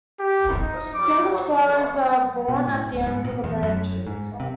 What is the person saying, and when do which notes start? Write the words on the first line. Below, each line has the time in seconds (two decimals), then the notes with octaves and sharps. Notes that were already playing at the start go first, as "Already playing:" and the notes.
Single flowers are borne at the ends of the branches.
0.19 G4
0.61 D#4
0.94 D6
2.48 B2
2.68 A2
2.93 D1
3.06 G#2
3.24 A#2
3.44 E2
3.63 F#2
4.07 G#2
4.40 C3